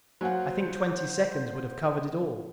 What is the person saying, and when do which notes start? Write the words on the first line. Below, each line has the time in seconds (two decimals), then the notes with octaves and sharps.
I think twenty seconds would have covered it all.
0.21 F#3 A#3 C5 F#5 G#5